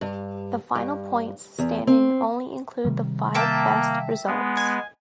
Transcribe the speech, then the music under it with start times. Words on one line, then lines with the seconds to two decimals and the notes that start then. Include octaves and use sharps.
The final points standings only include the five best results.
0.01 G2
0.75 G2
1.58 E2
1.87 C4
2.85 C3 D#3 G3
3.34 A#3 E5 G5 A5
4.27 G#3 B3
4.57 G#5